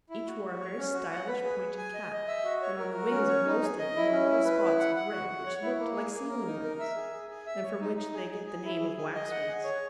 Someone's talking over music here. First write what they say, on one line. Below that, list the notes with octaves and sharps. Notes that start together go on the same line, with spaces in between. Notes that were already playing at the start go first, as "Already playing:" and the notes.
Each wore a very stylish pointed cap, and on the wings of most of them were little spots of red which looked like sealing-wax, and from which they get the name of Waxwings.
E4
F#4
F#4
C#5
C#4
F#4
F#5
B4
G#4
G#4
G#5
D#5
D#5
E5
F#4
C#5
A#4
F#4
C#4
C#5
D#4
G#4
D#5
E4
C#4
E4
B4
E4
F#5
F#5
F#4
F#5
C#5
E4
A#3
G#4
A#3
A#4
D#4
A#4
E5
G#4
G#4
G#4
E5
C#5
D#4
D#4
G#4
G#4
G#4
E4
G#4
G#4
D#5
F#5
G#4
C#5